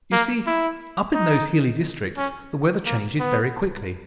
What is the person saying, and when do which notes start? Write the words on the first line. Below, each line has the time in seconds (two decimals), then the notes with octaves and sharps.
You see, up in those hilly districts, the weather changes very quickly.
0.12 A#3
0.46 E4
1.14 D#4
2.17 C#4
2.86 A#3
3.20 B3